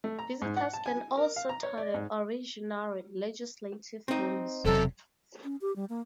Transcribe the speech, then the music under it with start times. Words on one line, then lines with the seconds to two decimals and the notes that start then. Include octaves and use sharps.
Visitors can also tour the original legislative rooms.
0.04 A3
0.19 A#5
0.42 G#2
0.57 F#5
0.73 A5
0.86 G#5
1.17 A#4
1.36 F5
1.49 A#5
1.63 C#5
1.78 D5
1.94 G#2
4.08 C4 D#4
4.65 E1 C3 F#3 A4
5.44 C#4
5.61 G4
5.76 G3
5.89 A#3